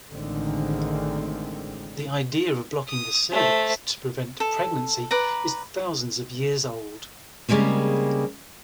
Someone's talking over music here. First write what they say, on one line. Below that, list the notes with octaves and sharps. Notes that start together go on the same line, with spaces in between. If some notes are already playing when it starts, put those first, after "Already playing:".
The idea of blocking the cervix to prevent pregnancy is thousands of years old.
A1 D3 D#3 G#3 C4
D#6
A3 C5
A4
B4 D5 A#5
C#3 G3 G#3 A#3 C4